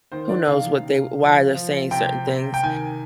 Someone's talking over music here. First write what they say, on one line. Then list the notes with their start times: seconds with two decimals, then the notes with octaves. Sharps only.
who knows what they why they're saying certain things.
0.12 D#3 C5
0.29 D5
0.47 C3 F5
0.83 C3
1.19 F3
1.55 F3
1.91 C3 G5
2.27 C3
2.54 G5
2.63 D#3 G#5